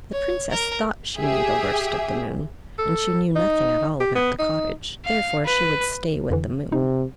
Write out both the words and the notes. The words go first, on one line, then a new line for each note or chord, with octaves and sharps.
The princess thought she knew the worst of the moon, and she knew nothing at all about the cottage, therefore she would stay with the moon.
C#5
A#4
G4 G#4 E5
A4
D#4
G4
B3
D#4
F5
B4
F2 D3 E3
C3 D#4